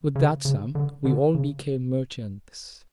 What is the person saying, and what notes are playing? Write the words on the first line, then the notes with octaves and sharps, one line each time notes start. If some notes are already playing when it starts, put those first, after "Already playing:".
With that sum, we all became merchants.
C#3
C#3
D3
D3
C#3